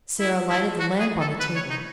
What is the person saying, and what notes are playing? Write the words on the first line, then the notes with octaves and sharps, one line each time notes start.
Sara lighted the lamp on the table.
E4
E4
F#4
G#4
A4
B4
C#5
D#4